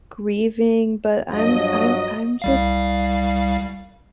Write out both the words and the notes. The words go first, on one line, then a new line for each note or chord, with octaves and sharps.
grieving, but I'm d I'm I'm just
G2 F3 F#3 D#5
C2 G3 F5